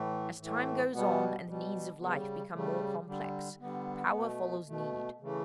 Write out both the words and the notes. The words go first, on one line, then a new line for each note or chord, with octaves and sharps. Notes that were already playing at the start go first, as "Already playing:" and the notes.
As time goes on and the needs of life become more complex, power follows need.
Already playing: A2 E3 A3
A2 E3 A3
B2 G3 B3
B2 G3
C#3 G3 B3
C#3 G3 A3
D3 G3
D3 G3 B3
B2 A3
B2 A3
C#3 E3 A3